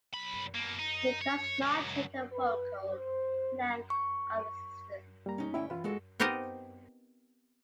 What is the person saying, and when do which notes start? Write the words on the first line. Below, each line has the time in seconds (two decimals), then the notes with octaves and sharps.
It does not change the focal length of the system.
0.14 B1 B5
0.55 B2 A#3
0.79 D#4
1.21 C#5
1.62 C#2 F#3
2.32 B4
2.91 C5
3.90 C#6
5.26 G3 A#3 A#5
5.38 C#4 D#4
5.54 D2 C#4 E4 G5
5.70 E3 F4 B4
5.84 G#3 F#4 A4
6.20 B3 C4 D#4 G4 A#4 D#5